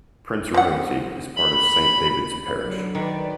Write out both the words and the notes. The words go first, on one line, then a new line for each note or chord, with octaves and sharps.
Prince Royalty is part of St. David's Parish.
C4 F#5
B5
D3 F#3
D#3 B4 D5